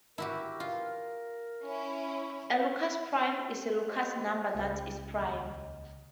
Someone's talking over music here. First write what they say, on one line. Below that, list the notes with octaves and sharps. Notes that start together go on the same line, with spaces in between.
A Lucas prime is a Lucas number that is prime.
E4 F#4 G4 A#4
F4
C#4 E4
G4 C5 D#5
C#2
D#2 D#5